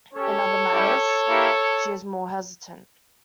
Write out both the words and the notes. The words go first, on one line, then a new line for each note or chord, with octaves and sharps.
In other matters, she is more hesitant.
C#4 G4 A4 C#5
G3 C#4 E4 G4
A#3 E4 G4